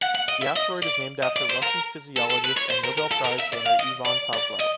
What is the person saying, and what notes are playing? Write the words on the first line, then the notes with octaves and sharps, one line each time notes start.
The asteroid is named after Russian physiologist and Nobel prize winner Iwan Pawlow.
F#5
F#5
D#5
E5
D#5
D5
D#5
D5
C5
A#4
A4
A4
B4
C#5
C5
A#4
A#4
A4
A#4
E5
D5
F5
D#5
D5
D5
D#5